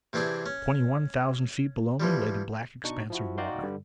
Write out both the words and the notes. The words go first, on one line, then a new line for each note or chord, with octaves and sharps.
Twenty-one thousand feet below me lay the black expanse of water.
C3 E3 C4 D4 G#4
C#4
E3 F3 G3
B2 D4 D#4 C#6
F3 E4 F#4
D#4 F#4 D5 F5 G5 C6
G2 D3 G3